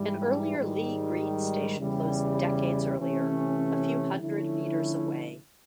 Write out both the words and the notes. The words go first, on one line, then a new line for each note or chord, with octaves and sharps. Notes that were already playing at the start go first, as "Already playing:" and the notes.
An earlier Lea Green station closed decades earlier, a few hundred metres away.
Already playing: G#2 E3 G3
G#2 D#3 G3
E2 C#3 E3 G3
C3 E3 A3 C#4
D3 F3 A3 C#4 E4